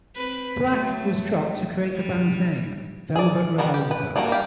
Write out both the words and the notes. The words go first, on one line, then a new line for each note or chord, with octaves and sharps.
"Black" was dropped to create the band's name, Velvet Revolver.
C4 B4
F#3 A3
G3
G#4 D5
D#3 G3 B3 A#4
G4
B4
G3 A#3 D4 F#4
G4 F5